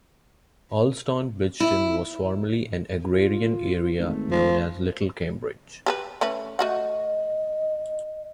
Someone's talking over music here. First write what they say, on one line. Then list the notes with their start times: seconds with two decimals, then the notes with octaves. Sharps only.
Allston-Brighton was formerly an agrarian area known as Little Cambridge.
1.60 E4
3.11 F4
3.99 G#1 A3
4.31 F3
5.86 G4 G#4 B4
6.21 A3 C#4 B4
6.59 A3 F#4 D#5 F#5